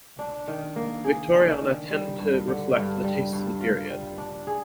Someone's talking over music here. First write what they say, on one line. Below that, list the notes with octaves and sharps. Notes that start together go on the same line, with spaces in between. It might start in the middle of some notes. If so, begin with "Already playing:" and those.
Victoriana tend to reflect the tastes of the period.
D4
D#3
A#3
G#4
D4
D#3
G3
G2
D3
G2
G3
G2
F4
G3
D4
G#4